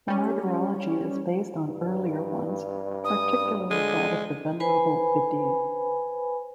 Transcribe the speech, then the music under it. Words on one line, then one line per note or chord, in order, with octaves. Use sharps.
The martyrology is based on earlier ones, particularly that of the Venerable Bede.
G3 C#4
G2
D#6
D3 G#3 D#7
B4 C5 G#5 B5